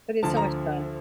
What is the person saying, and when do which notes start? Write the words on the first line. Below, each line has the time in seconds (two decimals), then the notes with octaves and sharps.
But it's so much fun.
0.23 D2 D3 F3 A5
0.37 A#5